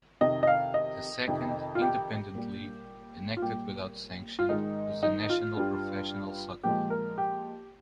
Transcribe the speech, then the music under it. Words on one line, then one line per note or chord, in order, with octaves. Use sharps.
The second, independent league, enacted without sanction, was the National Professional Soccer League.
F2 C3 D#3 D#5
D#5
F5
D#5
F2 C3 D#3
F4
G4
A#2 G3
F4
A#2 G3 G4
F4
G#2 D#3 G#3 D#4
D#4
F4
G2 G3
A#2 F3 G#3 G4
A#4
G4